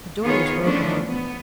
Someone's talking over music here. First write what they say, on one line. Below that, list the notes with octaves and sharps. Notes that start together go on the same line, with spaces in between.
The door was broken open.
D#3 B3 D#4 F4 G#4 C#5
E3 F3 A3 B3 C#4 D4
B3